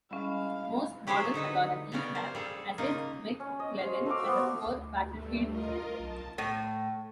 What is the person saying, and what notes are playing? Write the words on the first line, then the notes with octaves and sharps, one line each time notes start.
Most modern authorities have assessed McClellan as a poor battlefield general.
G3 G#3 C#4 E4 F5
F#3 G4 G#4 C5 C#5 E5
D3 D#4 A4 B4
C#3 G3 B3 C#4 D5 A#5
A#3 C5
G3 G#4 A4
C#3 A#3 D#4 F4
C#4
D#5
C5 C#5 F5
A3 F#4 F5 D6
B3 F#4 C5
D2
G2 A3
F4 A#4 D#5
B1 A5
A2